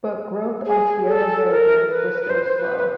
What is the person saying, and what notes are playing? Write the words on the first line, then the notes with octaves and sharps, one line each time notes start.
But growth on Tierra Verde was still slow.
G#4
A4
A#4
B4
B4
C5
B4
B4